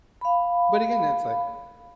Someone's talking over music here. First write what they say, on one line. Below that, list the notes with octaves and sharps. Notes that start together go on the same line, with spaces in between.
But again, it's like
F5 B5